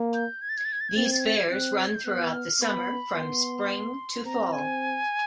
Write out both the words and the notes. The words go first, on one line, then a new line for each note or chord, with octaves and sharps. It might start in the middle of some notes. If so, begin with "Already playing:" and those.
These fairs run throughout the summer, from spring to fall.
Already playing: A#3
G6
G#6
A6
G#6
A6
G#6
A6
G#6
C4 A6
G#6
A6
G#6
A6
G#6
C4 F#6
G#6
G6
B3 F#6
E6
F6
B3 B5
B3 C6
C4 A#5
G#5